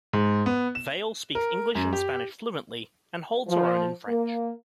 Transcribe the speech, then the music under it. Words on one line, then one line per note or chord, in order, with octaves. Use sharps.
Vale speaks English and Spanish fluently, and holds her own in French.
G#2
B3
E7
A#4
F#2
G4
F3
A#3